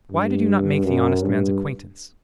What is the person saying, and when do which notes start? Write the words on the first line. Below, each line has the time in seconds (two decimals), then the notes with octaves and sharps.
Why did you not make the honest man's acquaintance?
0.11 G2
0.84 F#2
1.22 G2